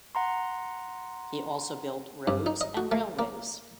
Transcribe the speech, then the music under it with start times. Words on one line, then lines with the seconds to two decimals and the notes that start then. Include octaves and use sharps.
He also built roads and railways.
0.15 F#5 A#5 C6
2.27 G2
2.46 D#4
2.61 D#5
2.77 F#4
2.92 A3
3.19 A#3